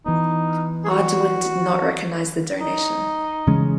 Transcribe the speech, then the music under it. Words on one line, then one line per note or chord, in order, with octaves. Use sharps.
Arduin did not recognise the donation.
E3 B3 D#4
G#4
F#4
D#4
C#3 E3 G#3 C#4